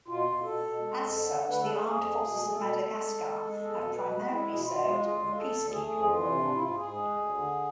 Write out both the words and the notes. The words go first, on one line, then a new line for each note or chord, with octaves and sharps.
As such the armed forces of Madagascar have primarily served a peace-keeping role.
B2 F4
B2
B2 A4
B2
G#3
F2
D3
D3
A3 B4
A4
A3
G#4
F2
A3
B2
A3
B2 A4
A3
G#3
G#3
G#3
G#3
E2 A4
B2
B2 B4
G#3
G#3 E4
B2
B2 F4
G#3
D2 F4
G#3
D2 A4
D2
A3 G#4
F2
E3 F4
C3
G#2 D4
E4
G#2 F4
G#2 G#4
G#3
D2
D3